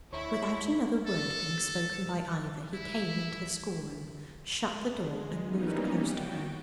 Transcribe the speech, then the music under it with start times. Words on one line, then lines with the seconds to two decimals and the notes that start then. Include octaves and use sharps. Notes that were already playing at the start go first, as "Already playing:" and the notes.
Without another word being spoken by either, he came into the schoolroom, shut the door, and moved close to her.
0.13 D2 E4 C#5
1.07 A4
2.74 E4
4.86 G#3
5.43 E3 G3 A#3 B3 C#4 D#4
5.98 F#4 G5